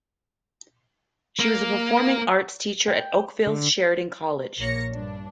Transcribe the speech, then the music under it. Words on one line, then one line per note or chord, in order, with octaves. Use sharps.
She was a performing arts teacher at Oakville's Sheridan College.
A#3
G5
D3
A#1 A#3 C#5 A#6 C#7
G2 D4